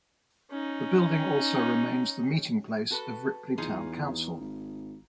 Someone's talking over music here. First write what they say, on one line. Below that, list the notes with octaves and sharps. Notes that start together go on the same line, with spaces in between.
The building also remains the meeting place of Ripley Town Council.
C#4 D#4
F#4 A4 B4
E2 D#4 F4 G#4
G#1